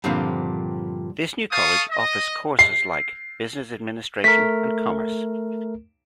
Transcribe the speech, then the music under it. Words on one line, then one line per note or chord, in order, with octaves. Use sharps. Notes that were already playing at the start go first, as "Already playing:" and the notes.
This new college offers courses like Business Administration and Commerce.
G2 A#2 D3 F3 C4
A4 F5 C#6 D#6
D#5
C7
A3 A#4 B6